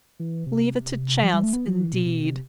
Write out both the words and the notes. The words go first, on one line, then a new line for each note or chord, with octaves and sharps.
Leave it to chance indeed!
E3
C3
F3
G3
A3
B3
F3
E3
B2
B2
C3